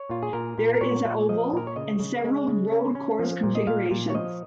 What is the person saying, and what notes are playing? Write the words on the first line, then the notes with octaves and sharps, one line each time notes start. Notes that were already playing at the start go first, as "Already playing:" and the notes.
There is a oval, and several road course configurations.
Already playing: C#5
A#2 F4
G#4
A#2 A#4
A#2
A#4
A#2 C#5
A#2
F3 D#5
A#2 A#4
C#5
C#3 D#5
C#3
G#3
C#3
C#4
C#4
F3
A#2
D#5
A#2 F5
A#2
C#5
F3 D#5